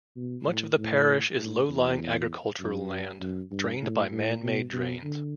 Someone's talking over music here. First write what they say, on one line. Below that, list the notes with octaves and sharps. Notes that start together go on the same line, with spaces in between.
Much of the parish is low-lying agricultural land drained by man-made drains.
B2
A2
A2
A2
E2
F#2
F#2
G2
A2
A2
B2
B2
D3